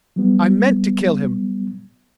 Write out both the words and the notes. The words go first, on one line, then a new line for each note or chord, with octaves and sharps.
I meant to kill him.
F#3 G3 B3